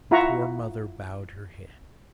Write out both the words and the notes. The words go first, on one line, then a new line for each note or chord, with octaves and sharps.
The poor mother bowed her head.
E4 F4 E5 F#5 A#5 C#6